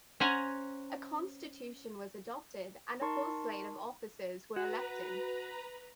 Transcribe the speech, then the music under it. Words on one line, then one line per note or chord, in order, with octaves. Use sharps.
A constitution was adopted and a full slate of officers were elected.
C#4 C5 F#5 G#5 A#5
D#4 A#4 A5 C6 C#6
F#4 B4 A#5